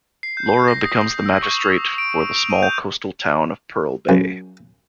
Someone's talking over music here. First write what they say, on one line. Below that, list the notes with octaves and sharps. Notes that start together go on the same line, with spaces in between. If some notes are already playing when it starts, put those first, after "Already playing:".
Laura becomes the magistrate for the small coastal town of Pearl Bay.
C7
G6
A#6
D#6
A#6
E6
C#6
F7
D7
F7
D#7
G6
F#2